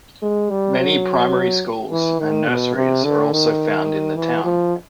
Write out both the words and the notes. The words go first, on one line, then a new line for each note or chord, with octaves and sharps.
Many primary schools and nurseries are also found in the town.
G#3
G3
F#3
E3
D#3
B2
C3
D3
D#3
E3
F3